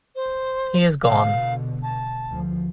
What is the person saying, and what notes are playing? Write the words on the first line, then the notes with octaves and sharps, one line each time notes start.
He is gone.
C5
B2 D3 F5
A5
D2 F3